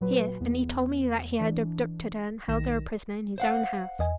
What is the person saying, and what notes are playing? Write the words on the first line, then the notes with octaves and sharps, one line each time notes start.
"Here; and he told me that he had abducted her, and held her a prisoner in his own house."
A#2 F#3 B4
E2 B3
E3 D4
B1 D#3 A#6 E7
C5 F5 F#5
E2 D#5 G#5